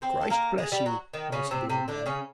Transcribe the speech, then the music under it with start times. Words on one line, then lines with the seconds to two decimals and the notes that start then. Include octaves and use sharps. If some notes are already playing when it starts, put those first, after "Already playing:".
'Christ bless you,' answered the old man.
0.02 C4 C5
0.21 A4
0.30 A#3 A#4
0.58 G#3 G#4
0.72 G3 G4
0.86 F#3 F#4
1.14 D#3 D#4
1.32 C#3 C#4
1.51 C3 C4
1.69 C3 C4
1.88 D3 D4
2.06 C#3 C#4